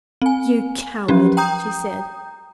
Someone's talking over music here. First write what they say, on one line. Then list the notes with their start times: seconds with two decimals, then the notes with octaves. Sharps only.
"You coward!" she said.
0.22 C4 G#5
1.08 F3 F#3 C#4 G4
1.37 G5 A#5 D#6 G6